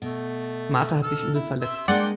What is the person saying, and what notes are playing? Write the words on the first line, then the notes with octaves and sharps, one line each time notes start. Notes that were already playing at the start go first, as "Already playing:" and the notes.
Martha hat sich übel verletzt.
B2 A3
A4 E6 F6
E4
E5 C6 E6
G#3 A#3 D4 D5 F#5 G5 C6